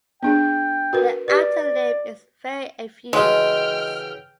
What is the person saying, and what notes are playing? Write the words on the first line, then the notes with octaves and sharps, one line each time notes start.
The outer lip is very effuse.
B3 D4 G#4 G5
F#4 A#4 B4
G4 B4 D5
C#3 E3 G#3 F#4 G5 F6